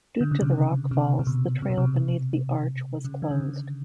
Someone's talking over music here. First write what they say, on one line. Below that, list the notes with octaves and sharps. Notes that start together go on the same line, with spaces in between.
Due to the rockfalls, the trail beneath the arch was closed.
D3
C#3
C3
C#3
C3
C3
B2
C3
B2
C3
C#3
D#3
D3
C#3